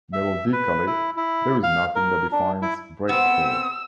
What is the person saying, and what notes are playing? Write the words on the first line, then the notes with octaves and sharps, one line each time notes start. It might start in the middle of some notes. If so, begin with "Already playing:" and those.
Melodically, there is nothing that defines breakcore.
E5
B4
E4
E4
F5
A#4
D4
E4
B3 C4 E6